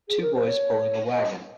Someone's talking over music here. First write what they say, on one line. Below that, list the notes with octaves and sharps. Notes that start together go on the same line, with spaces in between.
Two boys pulling a wagon.
G#4
A#4
C5
C#5
D#5